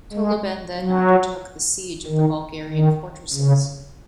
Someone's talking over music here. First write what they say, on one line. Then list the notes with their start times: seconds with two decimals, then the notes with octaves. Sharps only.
Totleben then undertook the siege of the Bulgarian fortresses.
0.13 G#3
0.78 F#3
2.06 D#3
2.69 D#3
3.34 C#3